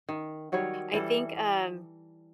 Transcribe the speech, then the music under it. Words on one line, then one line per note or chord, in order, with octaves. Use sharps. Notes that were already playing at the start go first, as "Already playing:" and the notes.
I think, um,
D#3
D#3 F#3 G3 C#5
E3 G3 A4